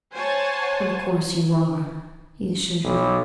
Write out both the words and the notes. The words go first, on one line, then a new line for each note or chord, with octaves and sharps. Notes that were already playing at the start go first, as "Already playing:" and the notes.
"Of course you are," he assured her.
C5 C#5 F#5 G#5 A5
B1